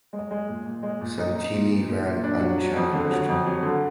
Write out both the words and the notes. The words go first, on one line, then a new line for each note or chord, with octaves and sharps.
Santini ran unchallenged.
G#3
G#3
A#2
A#2
G#3
A#2
D#4
D#4
A#2
A#2
A#2
A#2
D4
F#3
F#3
F2
D3
F#3
F2
F#3
D3